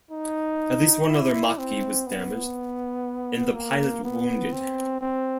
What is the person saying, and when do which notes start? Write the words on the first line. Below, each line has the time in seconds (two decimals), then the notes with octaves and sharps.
At least one other Macchi was damaged, and the pilot wounded.
0.11 D#4
1.09 E4
1.58 C4
2.07 B3
3.54 A#3
4.04 B3
4.52 C4
5.01 C4